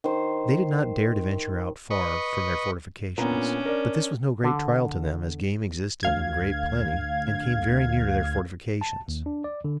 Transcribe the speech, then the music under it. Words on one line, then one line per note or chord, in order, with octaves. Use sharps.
They did not dare to venture out far from their fortifications; but, this was no great trial to them, as game existed in great plenty and came very near their fortifications.
D#3 C5
B4 D#5 C#6
A#2 B3 C#4 D4 A#5
A#4 D5
D3
D2 F5 G#6
A5
D#2
D4
D5
D3